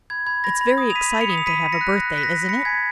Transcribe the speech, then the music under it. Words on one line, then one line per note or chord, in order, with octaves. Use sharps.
It's very exciting to have a birthday, isn't it?
B5 G#6
B5 G#6
B5 A#6
B5
D#6
F7
B5 B6 D#7
B5
C#7 F7
D#6
F7
B5 B6 D#7
B5
A#6 C#7
F#6
F#6 A#6
F#6 B6
A#6
F#6
B5 A#6 C#7
G#5 G#6 B6